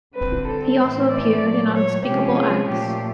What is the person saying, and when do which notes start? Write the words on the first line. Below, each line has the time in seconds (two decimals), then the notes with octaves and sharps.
He also appeared in "Unspeakable Acts".
0.15 D3 G3 C4 B4
0.46 A4
0.78 A2 E3 A3 C4 C5
1.11 D5
1.42 A#2 F#3 A3
1.74 C#5
2.05 C3 F3 G#3 C#4 G4
2.37 G#4
2.69 A#2 F3 A3 G4